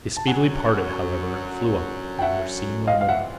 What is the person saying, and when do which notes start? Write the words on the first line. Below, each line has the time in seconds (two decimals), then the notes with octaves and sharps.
They speedily parted, however, and flew up, and were seen no more.
0.17 A5
0.27 F#2 D3 F#3 F#5 G#5
2.19 G5
2.22 E5 F#5
2.87 E3 G3 C4 F4 D#5 F5
3.01 F5
3.09 E5 F#5